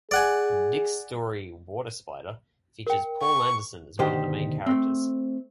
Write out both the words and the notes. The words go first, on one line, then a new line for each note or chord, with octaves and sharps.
Dick's story "Waterspider" features Poul Anderson as one of the main characters.
G#4 D5 F#5 G#5
A#4 G5
C#6
D2 B2 D#3 G4 C5 D#5
A3 C4